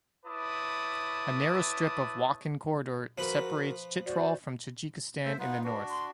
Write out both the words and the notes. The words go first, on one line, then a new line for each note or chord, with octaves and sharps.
A narrow strip of Wakhan Corridor separates Chitral from Tajikistan in the north.
E4 B4 C#5 A5 D6 D#6
F3 F#4 A#4 B4 B5
F#4 C5 D5
A3 C5 E5
B3 D#4 F4 F#5
D4 F#4 B4
C6